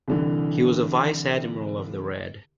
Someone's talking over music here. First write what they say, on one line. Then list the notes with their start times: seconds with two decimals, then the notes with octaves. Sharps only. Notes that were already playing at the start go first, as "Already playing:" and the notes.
He was a Vice-Admiral of the Red.
0.08 C2 D3 E3